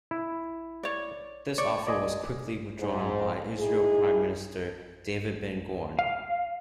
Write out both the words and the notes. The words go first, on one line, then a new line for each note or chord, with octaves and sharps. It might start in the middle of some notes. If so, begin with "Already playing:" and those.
This offer was quickly withdrawn by Israeli Prime Minister David Ben-Gurion.
E4
C#5 D5
C#5 D5
D5 D#5 G#5
G#2
D#4 E4 G#4
F5